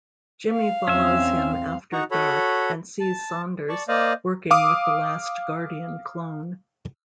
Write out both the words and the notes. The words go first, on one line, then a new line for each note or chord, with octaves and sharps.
Jimmy follows him after dark and sees Saunders working with the last Guardian clone.
F5
E2 C4 C#4 E5
D#4 F#4 F#5 A#5 C#6
F#4 A4 C#5 B5
A5
D5 A5 C#6
A#3 C5 D5 D#5 F5
F5 D6 D#6